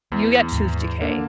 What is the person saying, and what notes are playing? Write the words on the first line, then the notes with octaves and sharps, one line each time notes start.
you get tooth decay
E2 E3 B3
D#2 G#2
D3 A#3